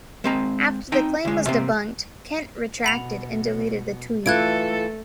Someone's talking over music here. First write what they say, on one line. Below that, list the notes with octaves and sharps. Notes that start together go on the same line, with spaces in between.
After the claim was debunked, Kent retracted and deleted the tweet.
G#3 C4 A#5
C4 D#4 G5 A#5
D2 G#3
C3 A#3 C4
B2 F#5 B5 F7
E3 A3 E4 F4 A4 F#6 G#6 D7